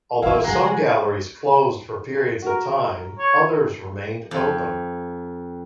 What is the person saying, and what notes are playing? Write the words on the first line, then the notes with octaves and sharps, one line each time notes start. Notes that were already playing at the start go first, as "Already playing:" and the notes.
Although some galleries closed for periods of time, others remained open.
E3 C#4 E4 F5
C#3 F3 G#3 F#4 A#4
F#4 A#4
C#5
F2